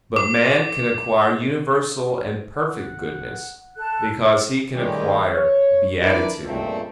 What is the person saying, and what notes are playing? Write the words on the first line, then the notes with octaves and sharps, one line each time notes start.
But man can acquire universal and perfect goodness, because he can acquire beatitude.
D6
F#5
A4 F#6
A2 D#3 G3 G#3 C#4 G4
C#5
D4 E4 A#4 B4 D5
C#2 G2 A#2 A3 C4